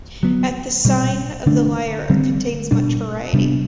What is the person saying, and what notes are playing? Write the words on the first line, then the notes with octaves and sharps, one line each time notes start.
"At the Sign of the Lyre" contains much variety.
D3 F#3 B3
B2 G3 C4
D3 A3 D4
D3 G3 C4
B2 G3 D4
C3 G3 B3 D4